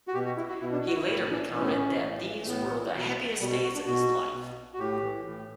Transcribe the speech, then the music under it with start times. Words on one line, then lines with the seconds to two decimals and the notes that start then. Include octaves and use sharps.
He later recounted that these were the happiest days of his life.
0.08 F#4
0.14 B2 G4
0.25 F#4
0.37 E4
0.49 F#4
0.60 B2 E4
0.72 D4
0.87 F#4
0.95 E4
1.07 A2 E4
1.30 E3 D4
1.53 A2 C#4
1.62 B3
1.71 C#4
1.77 E3
2.00 A2
2.24 E3
2.42 A3
2.47 A2 B3
2.70 E3
2.93 B2
3.40 B2 G3
3.51 F#4
3.63 F#4
3.75 D4
3.87 B2 F#4
4.33 B2
4.73 F#4
4.79 A2 G4
5.02 E3
5.26 A2